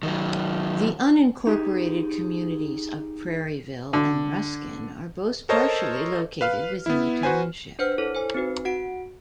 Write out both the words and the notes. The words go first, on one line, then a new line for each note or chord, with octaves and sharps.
The unincorporated communities of Prairieville and Ruskin are both partially located within the township.
D#3 F#3
D#4 G4 G#4
D3
A4 A#4 C5 C#5 D#5 A5
B4 F5 F6
B3 E4
F#4 B4 C5 G#5
D4 B4 C5 F#5 F6
E4 A4 C#5
C5 G#5
C4 D#4 F#4 B4
F#4 F#5 D7